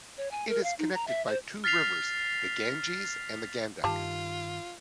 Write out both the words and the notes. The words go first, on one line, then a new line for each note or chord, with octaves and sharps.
It is connected by two rivers, the Ganges and the Gandak.
C#5
G#5
A#4
F5
D#4
A#5
E5
C5
F6 A6 B6 C7 F7
G2 D#3 F4 G4 A5